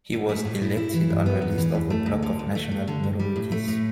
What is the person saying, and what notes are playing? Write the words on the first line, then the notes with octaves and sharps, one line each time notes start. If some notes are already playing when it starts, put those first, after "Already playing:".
He was elected on the list of the Bloc of National Minorities.
A2
A3
A2
E4
E4
E3
G2
B3
E2
E3
E2
A3
D2
D3
D2
A3
G2
D3
G2
G3
A2
A3
A2